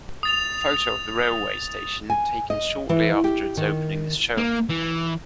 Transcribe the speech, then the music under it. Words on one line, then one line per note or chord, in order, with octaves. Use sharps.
A photo of the railway station taken shortly after its opening is shown.
D#6 A6 F7
G#5
D#5
E3
G4
D#3
A#3
E3